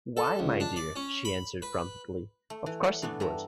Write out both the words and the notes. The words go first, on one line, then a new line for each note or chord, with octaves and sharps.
"Why, my dear," she answered promptly, "of course it would!"
A4
C#2
D4
D5
C#4
B5
B4
A3
E3
F#5
E3 A3 B3 D4
G2 E5 A#5 B5